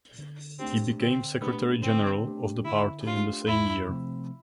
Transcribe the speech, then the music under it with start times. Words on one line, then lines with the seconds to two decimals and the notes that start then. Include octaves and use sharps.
He became Secretary General of the party in the same year.
0.19 D3
0.59 A3 C4 D4 G4
1.00 D3 C4
1.41 A3 B3 D4 G4
1.82 D3 C4
2.24 A3 D4 G4
2.65 D3 E4
3.06 A3 D4 F4 G4
3.47 E2 E4
3.89 C3 F3 A3 C4